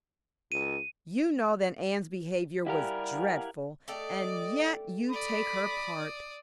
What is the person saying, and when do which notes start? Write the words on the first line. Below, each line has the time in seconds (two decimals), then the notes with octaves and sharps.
You know that Anne's behavior was dreadful, and yet you take her part!
0.52 C#2 D#7
2.66 G3 E4 G4 A#4 F5 F#5 G#5
3.88 A3 G4 A4 D5 D#5
5.10 D5 B5 D#6